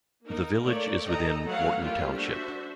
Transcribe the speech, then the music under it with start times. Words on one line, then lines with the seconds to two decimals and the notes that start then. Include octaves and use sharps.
The village is within Morton Township.
0.24 A#3 D#4 A#4
0.64 A3 A#3 C#5 D5
1.05 A4 D#5 G5 A#5
1.47 E3 F#3 A3 F5 F#5
1.80 G3 A3 A#3 E4 F4 G4
2.14 D4 F#4 C5 E5